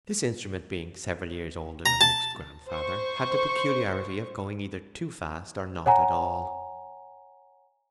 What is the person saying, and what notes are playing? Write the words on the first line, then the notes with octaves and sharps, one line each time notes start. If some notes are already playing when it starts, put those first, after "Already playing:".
This instrument being several years older than Oak's grandfather, had the peculiarity of going either too fast or not at all.
A#5
A5
C5 C#6
C#5 F#5 G#5 A#5